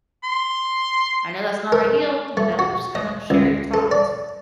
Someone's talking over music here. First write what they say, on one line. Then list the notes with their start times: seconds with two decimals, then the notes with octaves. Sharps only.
I know that's not ideal, you know? But just, kinda share your thoughts.
0.24 C6
1.72 A#4
2.37 A3
2.59 F#4
2.95 D#5
3.30 C#2
3.74 A4
3.91 D5